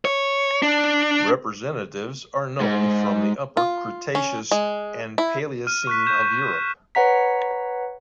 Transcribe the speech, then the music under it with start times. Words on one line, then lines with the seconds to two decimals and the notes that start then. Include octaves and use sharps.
Representatives are known from the upper Cretaceous and the Paleocene of Europe.
0.05 C#5
0.62 D4
2.61 G#2
3.57 F4
4.15 C#4
4.51 G#3
5.18 E4
5.67 F6 D#7
5.87 C#6 F#6 B6
6.06 C#6 G6 E7
6.95 B4 C#5 F#5 A#5 B6